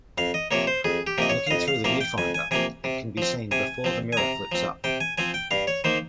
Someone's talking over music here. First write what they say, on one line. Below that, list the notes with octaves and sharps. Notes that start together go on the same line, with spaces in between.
Looking through the viewfinder, it can be seen before the mirror flips up.
F2 F5
D#5
C3 F3 A#3 C#5
C5
F2 G#4
G4
C3 F3 A#3 D#5
C#5
F5
F2 D#5
F5
C3 F3 A#3 F5
G5
F2 G#5
G#5
C3 F3 A#3 G#5
C3
F3 C4
C3 G#5
F3 C4
G#5
C3 A#5
F3 C4
C3 G5
G#5
F3 C4 G#5
G5
G2 F5
C#5
D#3 A#3 C5